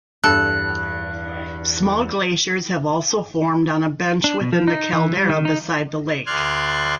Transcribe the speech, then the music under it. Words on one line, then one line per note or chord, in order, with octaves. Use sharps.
Small glaciers have also formed on a bench within the caldera beside the lake.
E2 G2 A4 F#6
D4
B2
F3
D#4
E3
G3
D#3
D#4
D2 D5 C6 F6 F#6 G#6